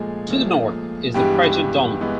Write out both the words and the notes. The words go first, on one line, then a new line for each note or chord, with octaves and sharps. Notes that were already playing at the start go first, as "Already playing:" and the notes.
To the north is the crater Dollond.
Already playing: A#2 F3 G#3 A3 G#4
A#2 F3 A3
G2 E3 G3 G#3 B3 G4
E3 G#3 B3